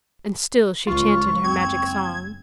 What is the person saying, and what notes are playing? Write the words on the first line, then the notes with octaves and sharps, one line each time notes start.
And still she chanted her Magic Song.
C#2 F4 C#6
F#1 C4 G#6